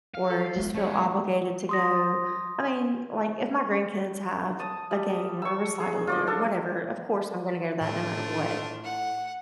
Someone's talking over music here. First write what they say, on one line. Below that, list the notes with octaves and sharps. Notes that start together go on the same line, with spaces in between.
or just feel obligated to go, I mean, like, if my grandkids have a game or a recital or whatever, of course I'm gonna go to that no matter what.
F5
A4
E3 G#3 B3
A3 C#4 C#5
C6 D#6 A#6
A5 D#6
G3
C#6 E6
G#4
F4 D5 D#5
D4 A4
A2 A3 D4 F4
F#5